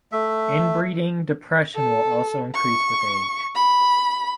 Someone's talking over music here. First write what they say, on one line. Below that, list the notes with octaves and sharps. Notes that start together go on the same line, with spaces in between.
Inbreeding depression will also increase with age.
A3 E5
A4
C#6
B5